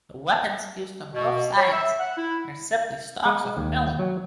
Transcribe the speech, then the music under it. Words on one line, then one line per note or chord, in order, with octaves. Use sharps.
The weapons used on both sides are simply stalks of millet.
B2
C#5
E5
F#5
E4
G#3
D#2
F#3